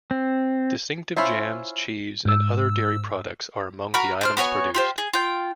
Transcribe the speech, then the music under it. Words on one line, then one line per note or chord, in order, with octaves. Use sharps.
Distinctive jams, cheese and other dairy products are among the items produced.
C4
C#4 E4 F4 C5 E5
G#2 E6
F#4 A#4 B5
D4 C5 F6
B3 F#4 C#5 G#5
F4 G4 C5
G#4
F4 G5